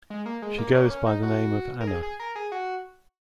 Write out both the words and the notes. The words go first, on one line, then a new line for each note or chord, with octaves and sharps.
She goes by the name of Anna.
G#3
A#3
G#3
A#3
C#4
A#3
C#4
D#4
F#4
A#4
G#4
G#4
A#4
G#4
F#4